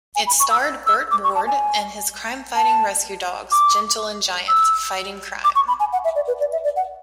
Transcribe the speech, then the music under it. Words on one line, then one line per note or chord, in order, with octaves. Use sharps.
It starred Burt Ward and his crimefighting rescue dogs Gentle and Giant fighting crime.
G#5
B5
C#6
E6
E6
D6
C#6
A5
G#5
A5
D6
E6
D6
C#6
B5
G#5
F#5
E5
D5
B4
D5
E5
D5
F#5